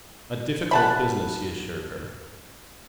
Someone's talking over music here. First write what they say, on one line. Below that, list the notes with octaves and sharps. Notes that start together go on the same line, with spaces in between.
"A difficult business," he assured her.
F#5 A5 B5